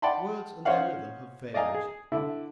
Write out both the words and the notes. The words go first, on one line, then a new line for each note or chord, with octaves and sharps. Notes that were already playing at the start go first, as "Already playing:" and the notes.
Words and their rhythm have varied.
D5 F#5 G5 A5 B5 C6
C#4 C5 C#5 D#5 F5 F#5
D5 D#5 F5 G#5 A#5
G#4
D3 E4